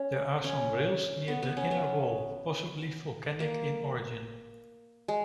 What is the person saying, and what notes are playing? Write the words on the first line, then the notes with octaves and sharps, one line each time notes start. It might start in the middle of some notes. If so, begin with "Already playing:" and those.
There are some rilles near the inner wall, possibly volcanic in origin.
Already playing: C#4
C#4
B3
B3
C#4
B3
A#3
G#3